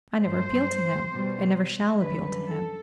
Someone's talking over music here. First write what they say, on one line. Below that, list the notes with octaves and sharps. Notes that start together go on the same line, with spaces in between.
I never appeal to him, and never shall appeal to him.
G2 F#3 A3 C5
B2 G3
F#2 D3 G3 B4
A4